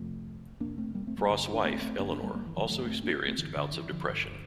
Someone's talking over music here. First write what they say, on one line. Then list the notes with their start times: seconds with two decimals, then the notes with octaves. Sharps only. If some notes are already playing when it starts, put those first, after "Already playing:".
Frost's wife, Elinor, also experienced bouts of depression.
Already playing: F2 C3 F3 A3
0.60 F2 C3 A#3 D4
0.78 A3 C4
0.95 G3 A#3
1.07 A3 C4
1.18 G3 A#3
1.29 G2 D3
1.53 D4
1.64 A3 C4
1.82 A3 C4
1.99 G2 D3 A#3 D4
2.11 A#3 D4
2.23 G3 A#3
2.34 G3 A#3
2.46 E3
2.57 D3 F3
2.69 G2 D3 F3 A3
2.86 A3 C4
3.03 A#3 D4
3.27 A3 C4
3.38 G2 D3 E3
3.56 D3
3.73 E3
3.90 D3 F3
4.09 G2 D3